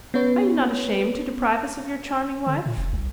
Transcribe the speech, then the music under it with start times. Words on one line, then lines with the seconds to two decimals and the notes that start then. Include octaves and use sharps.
"Are you not ashamed to deprive us of your charming wife?"
0.14 B3 C#4 B4 C#5
2.47 D3
2.66 A#2
2.78 F1
2.93 C2